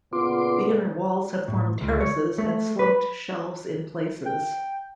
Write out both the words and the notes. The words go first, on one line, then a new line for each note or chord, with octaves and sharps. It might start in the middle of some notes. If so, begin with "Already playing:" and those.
The inner walls have formed terraces and slumped shelves in places.
A#2 C#3 B3 F4 C6 D6
A2
C#2
C#5
A3
B4
G5